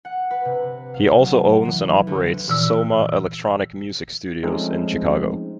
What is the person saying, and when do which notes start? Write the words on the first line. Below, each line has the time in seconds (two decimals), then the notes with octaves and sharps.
He also owns and operates Soma Electronic Music Studios in Chicago.
0.05 F#5
0.31 B4
0.45 C3
0.94 F5
1.19 F#3
1.65 E3
2.07 D2
2.48 A#2 E3 E6
4.43 F3 G#3 A3 C4 C#4 D#4